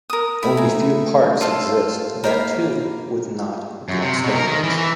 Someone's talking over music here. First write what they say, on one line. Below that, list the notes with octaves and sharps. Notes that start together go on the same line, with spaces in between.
Only few parks exist that too with not good standards.
A#4 D#6
A3 E4
G#5 A#5
F4 A4 F5
A#3 A#4 F5 B5
F#2
C3
B2
A#4
D#3
E3
E3